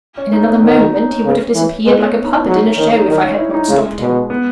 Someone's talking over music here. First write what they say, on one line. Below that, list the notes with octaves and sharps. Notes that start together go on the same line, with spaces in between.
In another moment he would have disappeared like a puppet in a show if I had not stopped him.
C#4
D#4
B3
D#3 C#4
D#4
D#4
C#4
C#3
E3
G#3 B3
C#4
C#4
D#4
E4
F#3 D#4
C#4
D#3 C#4
D#4
D#3 D#4
C#4
E4
D#4
C#3 G#3
B2
B3